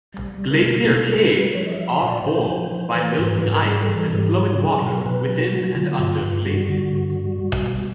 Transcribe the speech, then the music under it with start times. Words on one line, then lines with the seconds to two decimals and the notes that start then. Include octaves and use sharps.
Glacier caves are formed by melting ice and flowing water within and under glaciers.
0.14 G3
0.38 G3
0.50 A#4
0.62 B2
0.85 B2 A4
1.08 G3 A#4
1.19 B4
1.32 G3
1.55 F3 C#5
1.66 D#5
1.72 E5
1.79 F3
1.90 E5
2.02 A#2
2.08 D5
2.25 A#2 C5
2.48 F3
2.71 F3
2.95 E3 B4
3.12 A#4
3.19 G#2
3.30 B4
3.41 G#2 B4
3.48 A#4
3.66 G3 G#4
3.83 A4
3.88 E3
4.00 A4
4.12 G#2
4.18 G4
4.35 F#3 C#5
4.59 F#3 G#4
4.82 B2
5.06 B2 B4
5.29 F#3
5.40 F#4
5.53 F#3
5.75 D3 F4
5.99 G2
6.23 G2
6.46 G3 F#4
6.69 D3
6.93 G2
7.15 G3
7.39 G3
7.62 B2